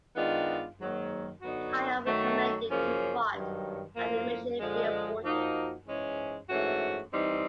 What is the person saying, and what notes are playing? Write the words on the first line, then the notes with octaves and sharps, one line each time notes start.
Kyle recommended to Vaught that the mission be aborted.
D#3 G#3 B3 D4 F4
G#2 D#3 F#3 A#3
D3 F#3 B3 D#4 F#4
D#3 F#3 A3
F#2 C#3 F3 A#3 C#4
G2 D#3 F#3
A2 F3 A#3
D3 F3 G#3
F3 A#3 D#4 F#4
G#2 E3 G#3 C#4
G#2 E3 A3 C#4 F#4
E3 G3 C4 D#4